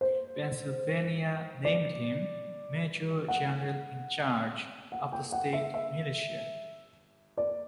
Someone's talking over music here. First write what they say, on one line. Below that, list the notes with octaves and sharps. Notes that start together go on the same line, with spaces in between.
Pennsylvania named him major general in charge of the state militia.
C5
D5
F#5
F#5
G5
F#5
E5
E5
D5